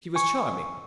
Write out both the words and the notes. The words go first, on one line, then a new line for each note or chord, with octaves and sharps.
She was charming.
G#5 C#6